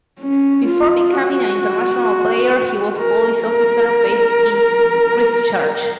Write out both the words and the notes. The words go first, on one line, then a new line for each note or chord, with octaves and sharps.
Before becoming an international player he was a police officer based in Christchurch.
C#4
F4
F#4
A#4
A#4